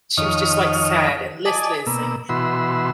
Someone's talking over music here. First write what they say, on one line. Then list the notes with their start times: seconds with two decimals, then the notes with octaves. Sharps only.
she was just, like, sad and listless, and,
0.17 F2 D#3 C#5 D#5 F6
1.46 D5 D#5 G#5 A5
1.87 B2 A#3 E6
2.29 B2 E3 F#4 B5 C6 E6